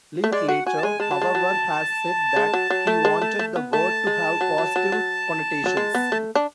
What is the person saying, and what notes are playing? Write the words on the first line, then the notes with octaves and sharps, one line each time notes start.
Linklater, however, has said that he wanted the word to have positive connotations.
A3
G#3 D5
F#4 F#5
F#4 G#5
A5
G#3 G#5
G#3 A5
F#3
G#3
F#3
G#3
F#3
F#3
A3
G#3
A3
A3
B3
A3 A5
G#3
F#3
F#3
F#3
F#3
F#3
G#3
B3
A3
D4